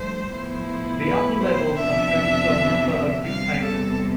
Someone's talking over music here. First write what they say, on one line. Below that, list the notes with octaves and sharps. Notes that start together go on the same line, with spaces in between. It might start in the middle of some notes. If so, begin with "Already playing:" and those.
The upper levels are home to a number of retailers.
Already playing: G2 F3 A3 C5
A2 F3 B3 E4
B4
C5
F2 C3 F3 B3 D4 E5
E2 C3 G3 F5
A4